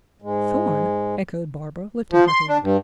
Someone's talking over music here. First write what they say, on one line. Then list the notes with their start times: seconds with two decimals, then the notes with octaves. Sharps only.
"Thorn!" echoed Barbara, lifting her head.
0.22 G#2 G#3
2.12 F3
2.28 C6
2.48 D4
2.63 G2